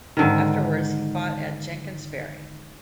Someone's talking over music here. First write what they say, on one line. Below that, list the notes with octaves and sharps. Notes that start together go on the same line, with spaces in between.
Afterwards he fought at Jenkin's Ferry.
G#2 D3 D#3